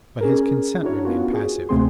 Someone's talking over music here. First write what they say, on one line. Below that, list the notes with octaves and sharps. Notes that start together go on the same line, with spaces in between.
But his consent remained passive.
C#4 G#4 A#4
D4 E4 F#4 A#4 C#5
B3 C#4 F4 F#4
G#4
D2 C3 A3 C4 G#4 C6